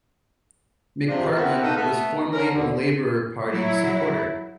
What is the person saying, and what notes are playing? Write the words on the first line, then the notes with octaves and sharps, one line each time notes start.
McPartlin was formerly a Labour Party supporter.
C3 F3 D4 F4 G#4
B3 C4 E4 F#4 A#4
D#4 F#4 A4 B4 F5
A3 B3
D3 C#4 A#4
D#2 D3
F#3 E4